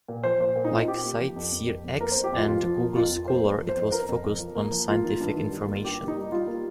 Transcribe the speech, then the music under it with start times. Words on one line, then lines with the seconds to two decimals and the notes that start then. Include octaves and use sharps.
Like CiteSeerX and Google Scholar, it was focused on scientific information.
0.08 A#2
0.23 F3 C5
0.40 A#2 C5
0.56 A#2
0.65 D#4
0.72 C4 F4
0.88 C4 G4
1.04 A#3
1.20 F3
1.36 F2
1.52 F2
1.67 F2
1.85 F2
2.00 A#3 A#4
2.12 F2 C5
2.24 G4
2.32 F2 F4
2.47 F2 F4
2.64 F3
2.81 A#3
2.95 F2 F4
3.12 F2
3.28 A#3 C5
3.43 F2
3.61 F3
3.69 C5
3.77 F2
3.92 F2 A#4
4.08 F2
4.24 F2
4.39 F3
4.55 A#3
4.71 F3
4.88 A#3 F4
5.04 D#3
5.20 G2
5.36 D#3
5.52 G3
5.68 A#3
5.84 G2 G4
6.01 A#3
6.08 D#4
6.16 G3
6.32 G3 F4
6.47 A#3